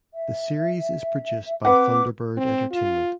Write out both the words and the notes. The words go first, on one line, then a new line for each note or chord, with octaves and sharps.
The series is produced by Thunderbird Entertainment.
E5
C4 B4 F#5 D6
C4
F4